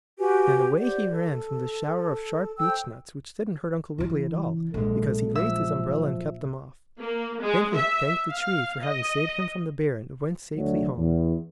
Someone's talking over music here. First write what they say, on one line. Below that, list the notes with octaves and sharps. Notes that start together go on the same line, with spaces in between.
And away he ran from the shower of sharp beech nuts which didn't hurt Uncle Wiggily at all because he raised his umbrella and kept them off. Then he thanked the tree for having saved him from the bear and went safely home.
F#4 G4 B4 G#5
G4 C5 D5 F#5
A4
A4 C5 G5 E6
C#3 E3
A#1 F#2 G#3 A4
F3 E5 E6
A#3
G#3
E5
F5
D#5
D2 F#3
E2